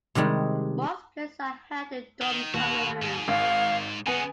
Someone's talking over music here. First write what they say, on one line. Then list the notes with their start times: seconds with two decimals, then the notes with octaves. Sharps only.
Most plays are held in dorm common rooms.
0.15 C3 D#3 G3 G#3
2.22 D#3
2.54 D#2 B3 F#4
3.02 G#2
3.28 G#1 F5
4.07 C#3 B3 D#4 F#5 G#5